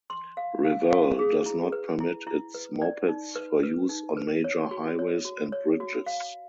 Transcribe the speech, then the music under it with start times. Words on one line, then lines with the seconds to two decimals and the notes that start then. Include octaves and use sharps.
Revel does not permit its mopeds for use on major highways and bridges.
0.10 C6
0.37 F5
0.64 F5
0.91 F5
1.19 G#4
1.46 E4
1.72 B4
2.00 E4
2.27 E4
2.54 B4
2.82 D5
3.09 D#4
3.36 B4
3.63 B4
3.89 D#4
4.17 B4
4.44 C#5
4.71 F#4
4.99 C#5
5.25 F#4
5.52 C#5
5.80 F#4
6.06 F5